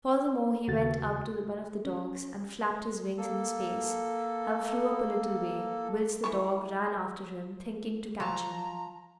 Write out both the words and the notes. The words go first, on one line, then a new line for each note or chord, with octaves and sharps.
Furthermore he went up to one of the dogs and flapped his wings in his face and flew up a little way, whilst the dog ran after him thinking to catch him.
D#2 C#3 F#4 A6
C#4
A#3 A4
E3 C#6
F3 A5 A#5